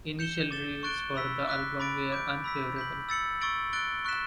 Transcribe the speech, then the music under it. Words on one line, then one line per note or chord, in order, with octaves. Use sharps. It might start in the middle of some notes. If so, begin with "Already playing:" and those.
Initial reviews for the album were unfavorable.
G6 C#7 E7 G7
D6 A6 E7 G7
C#6 F#6 A6 D7 G7
B5 E6 B6
D6 F#6 B6
B5 D6 A6 D7
D6 G6 D7
B5 E6 B6
G6 B6 F#7
E6 A6 C#7 F#7
C#6 E6 A6 D7 F#7
F#6 A6 D7 G7
C#6 F#6 B6 E7